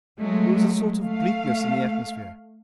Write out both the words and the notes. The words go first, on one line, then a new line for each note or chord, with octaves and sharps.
There was a sort of bleakness in the atmosphere.
F#3 G#3 A3
A3 F5